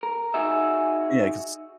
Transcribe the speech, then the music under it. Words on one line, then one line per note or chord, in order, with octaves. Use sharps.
Yeah, 'cause
A#4
D#4 F#4 G#4 E5